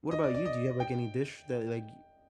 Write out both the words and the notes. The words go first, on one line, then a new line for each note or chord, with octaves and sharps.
What about you? Do you have, like, any dish that, like,
D#5
D5
D5
D#5
G5